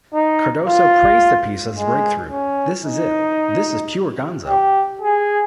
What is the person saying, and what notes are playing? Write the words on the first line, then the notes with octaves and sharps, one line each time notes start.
Cardoso praised the piece as a breakthrough: This is it, this is pure Gonzo.
D#4
F4
G#3
C#4
D#4
G4
G#4